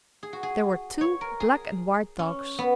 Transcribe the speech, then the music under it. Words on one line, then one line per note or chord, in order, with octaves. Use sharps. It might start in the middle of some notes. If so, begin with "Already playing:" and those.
There were two black and white dogs.
G#4
F#4
G#4
C#5
A#4
G#4
C#4
B3